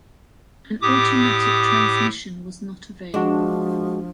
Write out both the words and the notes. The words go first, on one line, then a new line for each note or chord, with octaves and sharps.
An automatic transmission was not available.
A2 G4 D6 D#6
F3 G#3 D4 F#4